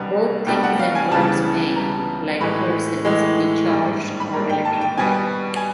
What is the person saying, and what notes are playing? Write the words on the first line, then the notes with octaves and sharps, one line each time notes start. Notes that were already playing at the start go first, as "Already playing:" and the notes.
Both things and words may, like persons, be charged or electrified.
Already playing: C2 B2 G3 B3 D4 F#5
C2 B2 G3 B3 D4 G5
F#5
F5
G#5
C#2 C#3 E3 G3 B3 A5
C#2 C#3 E3 G3 B3 A#5
A2 E3 G#3 B5
A2 E3 G#3
G#2 D#3 G3 A#3 D4
B5
G#2 D#3 G3 A#3 D4 A#5
G5
A5
G5
B2 G3 B3 G#5
G#5